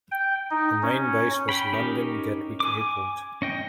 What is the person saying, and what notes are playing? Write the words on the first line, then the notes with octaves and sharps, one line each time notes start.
The main base was London Gatwick Airport.
G5
D#4
C#4
G5 B5
C#4 D#4 G4 A#4
G#5 D6
C#4 D#5 G5